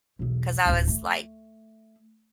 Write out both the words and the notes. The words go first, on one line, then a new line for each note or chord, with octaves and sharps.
'cause I was, like,
B1 E2
D1 D#2
A3